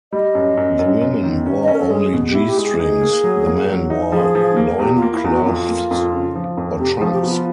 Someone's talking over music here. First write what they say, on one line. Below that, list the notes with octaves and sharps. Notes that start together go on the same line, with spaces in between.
The women wore only G-strings; the men wore loincloths or trunks.
G3 D#5
F#2
F#2
F#2
F#2
D#3
C#4
D#5
C#4
A#4
A4
G#3
G#4
B2
G4
E4
G4
G#3
G#4
D#4
A#3
F#3
A#3
F#3
D#4
F3 G#4
F3
A#3
E2 G4
F4
A#3
E4
E2
F#4
F2 F4
A#3
F2
C#3
F3
F2
C3 G4
G#4
F3
G4
B3 F#4
F4